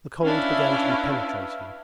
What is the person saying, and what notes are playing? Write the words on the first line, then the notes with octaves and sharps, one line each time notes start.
The cold began to be penetrating.
C#4 D4 E4 B4 E5 F5